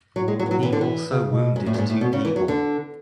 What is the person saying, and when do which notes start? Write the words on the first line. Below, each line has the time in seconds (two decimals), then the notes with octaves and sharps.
He also wounded two people.
0.16 A2 F#3
0.28 G#3
0.39 F#3
0.46 E3
0.51 F#3
0.63 E3
0.73 D3
0.81 E3
1.10 C#3
1.32 B2
1.56 G#2
1.66 A2
1.74 F#2
1.78 G#2
1.90 A2
2.01 B2
2.13 C#3
2.25 E3
2.36 F#3
2.48 D3